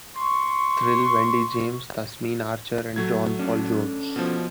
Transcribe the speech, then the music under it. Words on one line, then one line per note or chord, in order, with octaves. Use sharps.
Thrill, Wendy James, Tasmin Archer and John Paul Jones.
C6 C#6
F#3 A3 G#6
C#4 D4 A4
B2 F3